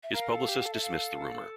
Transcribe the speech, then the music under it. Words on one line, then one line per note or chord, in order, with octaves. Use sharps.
His publicist dismissed the rumor.
E5
A#4 F5
A4
G4
G4
A4
E5
F5